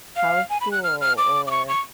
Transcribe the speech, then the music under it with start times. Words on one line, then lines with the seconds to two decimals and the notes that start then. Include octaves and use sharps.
"How's school?" or
0.16 F5
0.50 G#5
0.61 B5
0.72 F#6
0.84 F6
1.01 F6
1.18 D6
1.47 D6
1.51 C#6
1.68 C#6